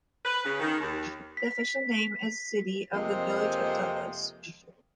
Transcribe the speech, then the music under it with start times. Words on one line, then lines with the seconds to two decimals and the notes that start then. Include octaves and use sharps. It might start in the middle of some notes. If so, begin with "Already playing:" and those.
The official name is City of the Village of Douglas.
0.24 B4
0.44 C#3
0.60 D#3
0.81 D#2
1.37 B6
2.93 F2 C3 F3 G#3 A#3 D#5